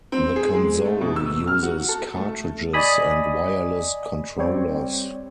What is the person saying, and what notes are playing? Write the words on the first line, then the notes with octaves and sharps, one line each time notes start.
The console uses cartridges and wireless controllers.
C4
G#4
G#3
A3
B2
E6
F6
F#4
A4
A3
D5 D#5 G#5 B5 D#6
G3 C4 C#5